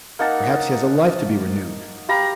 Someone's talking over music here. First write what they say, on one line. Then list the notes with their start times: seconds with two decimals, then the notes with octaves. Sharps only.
Perhaps he has a life to be renewed.
0.19 A#3 D#4 F#5 A5
2.09 G4 F5 A#5 B5